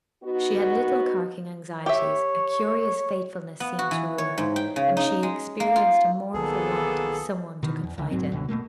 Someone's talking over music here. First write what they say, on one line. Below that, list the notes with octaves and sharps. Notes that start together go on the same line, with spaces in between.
She had little carking anxieties; a curious fatefulness seemed to rule her, and she experienced a mournful want of some one to confide in.
B3 D#4 F#4
G4 C#5 E5
B3
F#4
E3
C#5
G#2
G5
C#3
D#4
G#3
A#3
F4
B1 A#2 D#3 B3 G#4 A4
B2 D#3 E3
E2
C#2 D3
B1 G#2 F#3 C4
C#2 G2 B2 D3
F#1 B2 A3 A#3